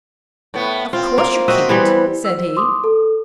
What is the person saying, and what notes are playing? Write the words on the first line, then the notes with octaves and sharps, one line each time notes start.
"Of course you can't," said he.
A2 B3
C4 F4
A#3
C4 F#4 D#5 E5
E3 G3 B3
C5 E6
C6 D6 D#6
A4